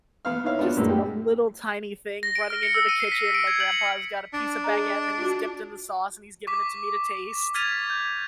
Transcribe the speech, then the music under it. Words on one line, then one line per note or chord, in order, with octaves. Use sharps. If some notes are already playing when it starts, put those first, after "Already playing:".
Just a little tiny thing running into the kitchen. My grandpa's got a piece of baguette that he's dipped in the sauce and he's given it to me to taste.
B3 F5 F6
D#4 E4 C#5 F5
B3 D4 F4 F#4
A#1 F#2 A2 G#3
G4
A#6
D7
F6
C#7
E6
D#7
C7
B6
D7
G#6
F#7
C#7
D4
G#4 D#5 A#5
F4 F#4
C#6 D6 B6
F6 G#6 A6 B6 D#7 F7
G6